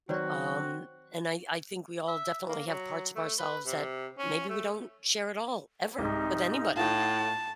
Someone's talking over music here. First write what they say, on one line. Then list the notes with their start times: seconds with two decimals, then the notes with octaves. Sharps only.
um, and I I think we all definitely have parts of ourselves that maybe we don't share at all ever with anybody.
0.09 D#3 F#3 C4 F#4 B4 C#5 D5
2.08 E5
2.49 A#3
2.67 F#3
3.16 A3
3.39 B4
3.66 C3
4.18 C#4
4.49 A3
5.99 C2 G#2 D#4
6.77 A2 F4 F#5 A5